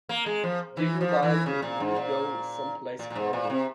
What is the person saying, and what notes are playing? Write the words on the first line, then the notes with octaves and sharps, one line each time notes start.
Do you mind if we go someplace crowded?
A#3
G#3
F3
E3
F3
E3
C#3
A#2
G#2
A#2
A#2
A#2
G#2
A#2
C3